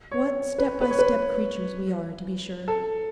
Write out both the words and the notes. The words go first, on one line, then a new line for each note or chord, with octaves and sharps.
What step-by-step creatures we are, to be sure!
C#5
B4
B4
C#5
B4
A4